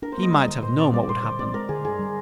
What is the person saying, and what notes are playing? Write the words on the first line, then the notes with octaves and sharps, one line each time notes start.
He might have known what would happen.
D4 A#4
C5
A#3 D#5
G3 D#5
D3 D#5
A#2 C5
C4 D5
G3 D5
A#2 C5
D3 D5
C4 D5
G#3 A#4
D3 G#4
G2 G#4
G3